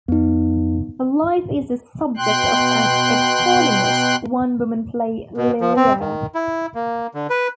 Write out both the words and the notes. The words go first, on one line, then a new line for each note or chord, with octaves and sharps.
Her life is the subject of an eponymous one-woman play Lilia!
F2 B3 D#4
B2 G5 C6 F#6
B2
F3
C4
D#3
E4
A#3
D3
B4